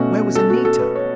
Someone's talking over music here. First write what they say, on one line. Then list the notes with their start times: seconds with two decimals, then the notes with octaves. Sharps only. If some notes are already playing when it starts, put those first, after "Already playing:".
Where was Anita?
Already playing: B2 A3 C#4 F#4
0.35 A4
0.50 F#4
0.65 A4
0.80 B4
0.95 C#5